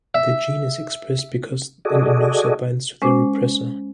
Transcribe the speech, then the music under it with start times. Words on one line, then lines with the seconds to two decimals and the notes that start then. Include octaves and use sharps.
The gene is expressed because an inducer binds to the repressor.
0.14 E5
1.85 F#4 G#4 A4 D5 D#5
3.02 G#3 C#4 C5 D6